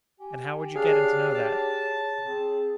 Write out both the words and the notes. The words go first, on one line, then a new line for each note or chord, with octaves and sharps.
"And how would you get him to know that?"
G4 G#5
D4 G#4 C#5 F5
A5
C4 G#4